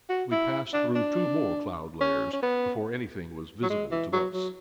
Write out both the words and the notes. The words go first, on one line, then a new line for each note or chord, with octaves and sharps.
We passed through two more cloud layers before anything was visible to us.
F#4
E4
D4
D4
C#4
C#4
B3
F#3
G#3
E3
F#3
F#3